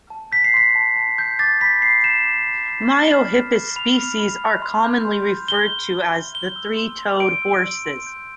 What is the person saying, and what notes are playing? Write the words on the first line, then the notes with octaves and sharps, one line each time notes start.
"Miohippus" species are commonly referred to as the three-toed horses.
A5
G6 B6
C7
C6 B6
A5
A5
G6
D6 A6
B5 B6
B5 C7
G6 E7
D6
B5
B5
B5
F6
B5
F6
B5 F7
F6
B5
F6
C6
G6
C6
G6
C6 G7
G6
C6
G6
G6 G7
E6
C6
C6
G6 D7
E6
C6
C6
G6